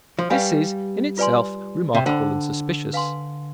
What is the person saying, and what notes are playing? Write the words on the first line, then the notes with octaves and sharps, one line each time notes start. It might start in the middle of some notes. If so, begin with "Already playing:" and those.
This is, in itself, remarkable and suspicious.
F3
G3 G4 B4 F5 G#5
F4 B4 D5 G#5 C6
C3
D3 C5 G5 B5
B4 F5 G#5 C6